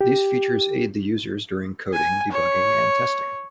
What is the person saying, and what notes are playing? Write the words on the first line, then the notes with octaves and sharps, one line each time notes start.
These features aid the users during coding, debugging and testing.
G4
G#5
C#5